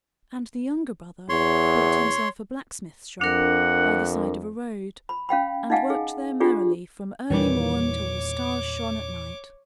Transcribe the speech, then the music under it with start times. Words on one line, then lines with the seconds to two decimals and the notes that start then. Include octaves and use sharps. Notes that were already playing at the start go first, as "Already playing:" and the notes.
And the younger brother built himself a blacksmith's shop by the side of a road and worked there merrily from early morn till the stars shone at night.
1.29 E2 C#5 C6
3.21 F2 D4 A#4 F#5
5.09 B5
5.29 C#4 F5 G5 B5
5.70 D#4 D#5 F5 F#5 G#5
5.90 G#4
6.40 D4 F4 G4 G#4 D5
7.30 E2 A#2 D#3 E3 G3 C#5 D6